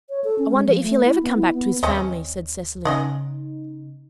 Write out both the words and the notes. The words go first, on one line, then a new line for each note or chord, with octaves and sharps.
"I wonder if he'll ever come back to his family," said Cecily.
C#5
A4
C#4
G#3
F3
A3
E4
B3
E4
B3
D#2 C4 C#4 D#5
C#3 C#4 D#4 D#5 F#5